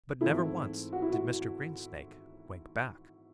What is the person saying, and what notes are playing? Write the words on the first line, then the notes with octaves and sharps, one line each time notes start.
But never once did Mr. Greensnake wink back.
G#2 E3 A3 C4 E4
F#4
E4
F#4